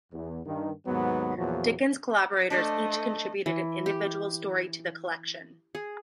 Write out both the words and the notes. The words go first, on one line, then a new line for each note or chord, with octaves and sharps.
Dickens's collaborators each contributed an individual story to the collection.
E2
G2 D#3
D#2 G#2 F#3 B3
E2 A#2 F3 F#3 F#4
A3 D4 C5 D5 D#5
E3
G4
G#4